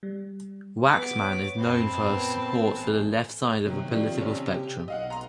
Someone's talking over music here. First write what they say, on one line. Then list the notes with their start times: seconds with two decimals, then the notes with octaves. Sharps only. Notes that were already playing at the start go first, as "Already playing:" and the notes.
Waxman is known for her support for the left side of the political spectrum.
0.03 G3
0.88 B3 D6
1.19 C#5
1.58 F#2 C4 A5 B5
1.97 A#2 B3
2.73 A1 G#5
3.66 C3 D#3 F#3
3.91 D#3 F3 G3
4.18 A#1 G3 C#4
4.54 G4
4.88 B1 D#5 F5 F#5
5.10 A#5 C6